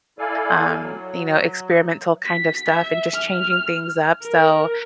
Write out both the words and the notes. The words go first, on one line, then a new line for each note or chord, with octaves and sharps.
um, you know, experimental kind of stuff, and just changing things up. So,
E4 A4 D5 F5 G#5
F#3
B6
E5
F6
A#4